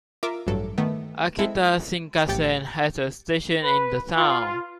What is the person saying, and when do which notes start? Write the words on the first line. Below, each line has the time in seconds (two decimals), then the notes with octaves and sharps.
Akita Shinkansen has a station in the town.
0.23 F4 A#4 E5 D6
0.47 A1 G2 F#3 A4
0.78 D#3 A3 B3
1.39 G#3 C4 E4 A4
2.28 A1 G4 G5 A6 C#7
3.63 B4
4.17 F4